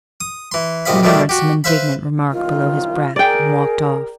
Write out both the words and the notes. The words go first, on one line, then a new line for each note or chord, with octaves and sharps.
He murmured some indignant remark below his breath, and walked off.
D#6
E3 C6
A#1 C3 D#5 F5 B5
B2 D#3 E3 G3 A3 D4
F#4 G4
B4 C5 E5 F5 B5
C2 F#2 D#3 F4
G#4 A#4 D5 G5